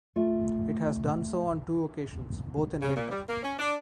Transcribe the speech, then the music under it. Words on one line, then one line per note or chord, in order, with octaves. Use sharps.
It has done so on two occasions, both in winter.
A3 F4 E5
C#3
A#2
G3
A#3
C#4
D4